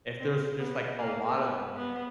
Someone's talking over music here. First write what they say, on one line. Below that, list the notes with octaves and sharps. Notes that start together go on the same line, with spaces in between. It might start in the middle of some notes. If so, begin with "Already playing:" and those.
if there's just, like, a lot of them, and
C4
B3
A#3
B3
B3